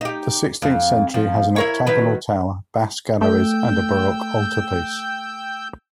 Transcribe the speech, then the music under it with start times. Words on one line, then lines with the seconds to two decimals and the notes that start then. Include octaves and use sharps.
The sixteenth century has an octagonal tower, Basque galleries and a Baroque altarpiece.
0.01 D#4 G4
0.62 F2
1.14 F3
1.56 E4 A#4 C#5
1.86 D#3 F#3 B4
3.21 A3 G5 E6 G6